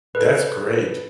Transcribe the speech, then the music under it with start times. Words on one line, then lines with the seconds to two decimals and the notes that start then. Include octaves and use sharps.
That's great.
0.15 A4 B4